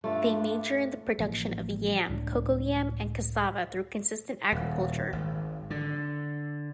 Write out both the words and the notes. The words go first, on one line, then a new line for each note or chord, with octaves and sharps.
They major in the production of yam, Cocoyam and cassava through consistent agriculture.
G2 A3 F4 E5
A1 F3 A#3
C#2 A2 D4
D#1
G#1
D3